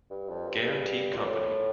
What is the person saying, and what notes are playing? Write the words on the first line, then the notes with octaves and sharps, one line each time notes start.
Guarantee Company.
G2
F2
G2
A#2
A2